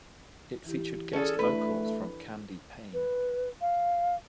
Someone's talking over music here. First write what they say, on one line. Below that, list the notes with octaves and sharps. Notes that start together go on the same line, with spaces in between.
It featured guest vocals from Candie Payne.
E3 E4 G4
C#4 G#4 A4 D5 A5
A3 D4 E4 A4 B4
B4
F5